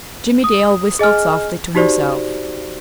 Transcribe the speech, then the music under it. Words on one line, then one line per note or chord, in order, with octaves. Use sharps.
Jimmie Dale whistled softly to himself.
D#6
G#4 D#5 G#5 F6
D#4 F#4 G4 C5 D5